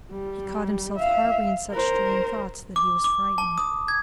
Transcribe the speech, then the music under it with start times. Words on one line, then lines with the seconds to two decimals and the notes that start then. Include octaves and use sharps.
He caught himself harboring such strange thoughts that he was frightened.
0.12 G3
0.97 E5 F5
1.71 A#4 C5
2.76 D6
3.04 D6
3.38 A5
3.58 D#6
3.88 G#6